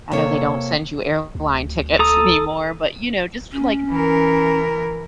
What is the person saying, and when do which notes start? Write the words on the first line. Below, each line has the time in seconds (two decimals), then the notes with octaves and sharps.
I know they don't send you airline tickets anymore, but you know, just like
0.12 C3 A#3 A4 C#5
1.35 D2
1.99 A4 A#5 D#6
3.52 C#4
3.91 E3 A#4